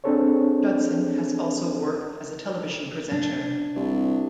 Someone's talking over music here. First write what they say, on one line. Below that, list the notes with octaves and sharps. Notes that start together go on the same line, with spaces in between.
Judson has also worked as a television presenter.
C4 D4 G#4 A4 C5 C#5
D4
C2